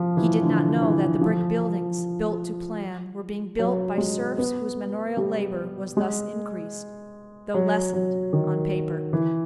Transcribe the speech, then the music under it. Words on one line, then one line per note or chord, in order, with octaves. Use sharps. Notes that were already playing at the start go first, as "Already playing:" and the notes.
He did not know that the brick buildings, built to plan, were being built by serfs whose manorial labor was thus increased, though lessened on paper.
Already playing: F3
E3
D3
E3
F3
F#3
G#3
B3
G3
G#3
F#3
F#3
D#3
E3